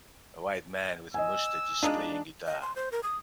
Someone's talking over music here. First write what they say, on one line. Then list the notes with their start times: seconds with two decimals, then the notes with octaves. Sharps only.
A white man with a mustache is playing guitar.
1.14 D#5 G#5 E6
1.83 G#3 D4 D#4 F4
2.46 D#5
2.62 C6
2.76 C5
2.92 A#4
3.03 D#6